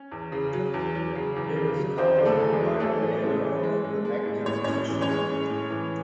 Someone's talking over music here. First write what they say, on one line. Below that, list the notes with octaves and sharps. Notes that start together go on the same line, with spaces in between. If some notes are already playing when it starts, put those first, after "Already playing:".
It is covered by a layer of connective tissue.
Already playing: C#4
E2
C#3
F#3
E2
F#3
C#3
E2
C#3
F#3
E2 C4 C5
C#3
A3 A4
E2
G#3 G#4
F#3
E3 A3 A4
A2
G#3
E3
G#3
G#3
G#3
A2
A2 C#5
A2 C#4 C#5
E3
C#4 C#5
G#3
A2
A2
E3